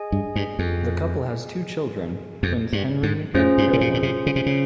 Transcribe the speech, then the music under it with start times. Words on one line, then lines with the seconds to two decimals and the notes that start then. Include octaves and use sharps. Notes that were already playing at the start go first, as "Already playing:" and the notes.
The couple has two children: twins Henry and Caroline.
Already playing: G#4 D#5 G#5
0.12 G2
0.36 G2
0.59 F2
2.43 F2
2.73 G2
3.03 G#2
3.34 F2 C#4 F4 G#4 C5
3.58 G2
3.73 C3
3.81 A#2
3.94 A#2
4.03 C3
4.26 C#3
4.36 C3
4.46 C#3